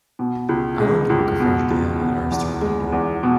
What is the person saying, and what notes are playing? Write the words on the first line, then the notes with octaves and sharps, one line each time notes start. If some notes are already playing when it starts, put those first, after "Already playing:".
I want to book a French Guiana restaurant indoor.
B2
C#2
G#3
C#2
B2
C#2
B2
E2
G#3
E2
B2